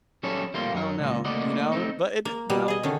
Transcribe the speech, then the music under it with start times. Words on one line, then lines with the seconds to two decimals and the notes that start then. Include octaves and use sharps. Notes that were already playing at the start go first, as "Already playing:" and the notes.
I don't know." You know? But it d you know
0.23 F#3 G3 C#4 G#4 A4 C#5
0.54 G3 A3 A#3 C4 F4
0.75 F#2 F#3 A#4
1.00 C#2 A#2
1.25 A3 A#3 F#4 D5 D#5 F#5
1.72 A3 C4 D#4
2.25 A#3
2.50 B2 G3
2.68 G#4 D#5
2.83 D3 D#3 C#4